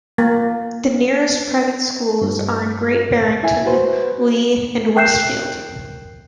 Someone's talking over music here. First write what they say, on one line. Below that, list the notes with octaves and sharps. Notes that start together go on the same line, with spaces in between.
The nearest private schools are in Great Barrington, Lee and Westfield.
A#3
G2
E4 E5 G#5
F#4 B4 C5
A#4 G5 F#6 G6 C7 E7